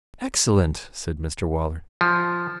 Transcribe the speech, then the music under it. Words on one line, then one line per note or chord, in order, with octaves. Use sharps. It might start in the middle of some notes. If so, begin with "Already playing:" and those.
'Excellent,' said Mr Waller.
F3